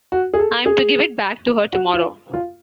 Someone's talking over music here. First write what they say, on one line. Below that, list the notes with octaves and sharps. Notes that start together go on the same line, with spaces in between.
I’m to give it back to her tomorrow.
F#4
G#4
A4
G#4
F#4
F4
F4